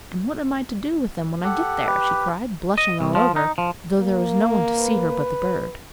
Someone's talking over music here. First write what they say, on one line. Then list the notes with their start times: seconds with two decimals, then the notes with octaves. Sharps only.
'And what am I to do with them when I get there?' she cried, blushing all over, though there was no one to see her but the bird.
1.44 G4 A4 F#5
1.87 G4 B4
2.78 D#5
3.01 C2
3.15 F3
3.36 D#4
3.58 F3
4.00 A#3
4.77 B4